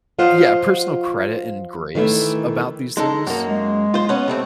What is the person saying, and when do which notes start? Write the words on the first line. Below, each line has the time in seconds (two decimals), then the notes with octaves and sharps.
yeah, personal credit and grace about these things.
0.18 F3 F4 C5 D#5 F#5
1.95 D#3 E3 A3 E4
2.97 G#3 D#4 A4
3.27 F#2 A#3
3.48 G#3
3.94 F4 C5
4.09 B3 C#4
4.28 C3 A3 C4